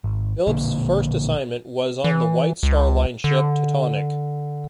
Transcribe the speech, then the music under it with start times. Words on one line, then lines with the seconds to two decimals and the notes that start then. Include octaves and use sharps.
Phillips's first assignment was on the White Star Line ship "Teutonic".
0.04 G#1
0.47 A#1 B2 D3 A#3
2.04 E3
2.63 C#2
3.24 D3